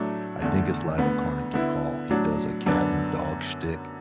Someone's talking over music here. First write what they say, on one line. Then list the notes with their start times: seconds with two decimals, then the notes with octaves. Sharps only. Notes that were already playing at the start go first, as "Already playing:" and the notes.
I think it's Live at Carnegie Hall; he does a cat and dog shtick
Already playing: A2 F#3 A3 D4
0.41 E2 D3 A3
0.97 D2 D3 B3
1.54 D3 B3 E4
2.10 A2 F#3 D4
2.66 F#2 D3 B3 D4